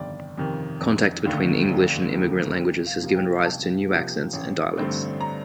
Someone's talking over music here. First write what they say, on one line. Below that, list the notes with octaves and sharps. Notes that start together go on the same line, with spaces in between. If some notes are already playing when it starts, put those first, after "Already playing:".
Contact between English and immigrant languages has given rise to new accents and dialects.
Already playing: G1 F2 C3 D#3 D5 G5
F2 C3 D#3
F1
D#2 D3 A3
F1
D#2 D3 A3
C2
F5
C3 F3 A#3
G5
C2 A5
C3 F3 A#3
A1
G2 D3 A3 C4
A#5